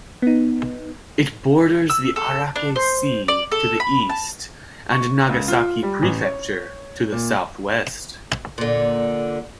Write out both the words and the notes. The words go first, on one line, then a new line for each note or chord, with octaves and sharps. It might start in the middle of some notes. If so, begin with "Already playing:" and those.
It borders the Ariake Sea to the east and Nagasaki Prefecture to the southwest.
B3 D#4
E6
A4
D4
C5
D5
A4
B5
A5
C#6
C#2
F4
G3
A1
C#5
A#2
A#2 D3